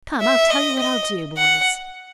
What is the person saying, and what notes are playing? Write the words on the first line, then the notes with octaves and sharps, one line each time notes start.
"Come, I'll tell you what I'll do, boys."
E5
D#5
D#5
F#5